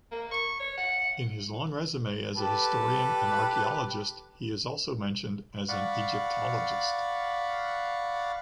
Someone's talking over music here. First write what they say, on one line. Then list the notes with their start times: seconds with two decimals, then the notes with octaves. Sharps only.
In his long resume as a historian and archeologist, he is also mentioned as an Egyptologist.
0.12 A#3
0.31 C#6
0.60 C#5
0.77 F#5
2.36 G4 A4 B4
5.69 D5 F5 F#5 B5 C#6